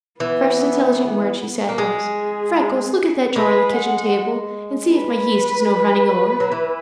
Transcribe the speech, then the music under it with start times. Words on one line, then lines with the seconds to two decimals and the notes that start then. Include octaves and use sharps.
The first intelligent word she said was: "Freckles, look at that jar on the kitchen table and see if my yeast is no running ower."
0.20 E3 B3
1.69 A#3
1.78 G#3 G#4
3.36 G#3 B4
3.75 F#5
4.94 B4
6.40 F#3
6.52 E3